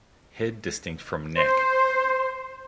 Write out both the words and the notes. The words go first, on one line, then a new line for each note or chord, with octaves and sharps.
Head distinct from neck.
C5